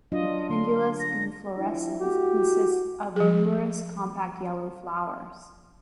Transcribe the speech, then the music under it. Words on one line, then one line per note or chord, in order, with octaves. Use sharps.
The pendulous inflorescence consist of numerous compact yellow flowers.
F#3 D4 F4 D#5
D3 C6
A#6
F3 D4 E4
A3 E4 F#4 G4
F3 G#4